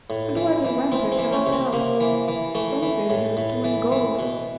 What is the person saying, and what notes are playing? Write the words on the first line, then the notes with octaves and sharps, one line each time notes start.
And why they went I cannot tell: some say that it was to win gold.
A2
E3
E3
E3 C4
C4
E3
C#4
C3
C4
C3 A#3
E3
E3
E3 A3
E3
A2
A2
E3
E3
B2